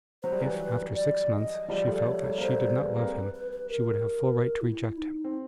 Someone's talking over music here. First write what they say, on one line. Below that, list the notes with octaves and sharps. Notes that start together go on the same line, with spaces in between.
If after six months she felt that she did not love him she would have full right to reject him.
F#3 C5
G3
E3 F#3 B4
B4
D5
D#5
F3 G3 D5
G3 A3
G3 A3 C#5
G3 A3
A#3
G3 A3 C5
G3 A3
G#3 A#3 B4
A#3 C4
B4
B4
B4
A#4
E4
D#4
C4